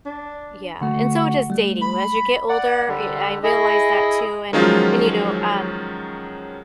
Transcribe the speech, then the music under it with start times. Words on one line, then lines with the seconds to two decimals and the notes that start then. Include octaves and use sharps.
Yeah, and so does dating. As you get older, y I realize that too, and and, you know, um,
0.06 D4
0.81 D3 A3 F#4
1.50 G3 A3
1.82 B5
2.49 D5 F#5
2.88 D3 G3
3.43 E4 G#4 D#5
4.53 D#3 F3 F#3 G#3 C#4 F4